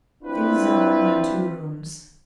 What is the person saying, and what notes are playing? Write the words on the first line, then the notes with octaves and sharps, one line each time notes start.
These are my two rooms.
C4 D4 E4 F4 G4 B4